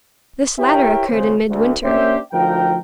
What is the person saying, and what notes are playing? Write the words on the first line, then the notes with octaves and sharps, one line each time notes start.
This latter occurred in midwinter.
E4 G4 A#4 C#5 E5 G5
G#1 C#3 C5
D2
A#3 C#4 D4 G4 C5 E5
D2 F3 D#4 A#4 G5